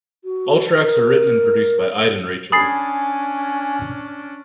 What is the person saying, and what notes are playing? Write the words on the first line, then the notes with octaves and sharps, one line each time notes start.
All tracks are written and produced by Idan Raichel.
F#4
A#4
C#4 D4 G#5 B5 D#6 A6 C7